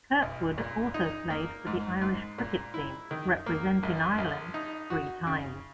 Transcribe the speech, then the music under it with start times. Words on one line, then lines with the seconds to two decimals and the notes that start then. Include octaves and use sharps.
Kirkwood also played for the Irish cricket team, representing Ireland three times.
0.22 B1
0.58 A#2
0.94 D#4
1.30 A#3
1.67 G#2
2.02 G#2
2.38 A#2
2.74 E4
3.11 D#3
3.46 A#3
3.83 A#1
4.18 A#1
4.54 D#4
4.90 F#4
5.27 C#3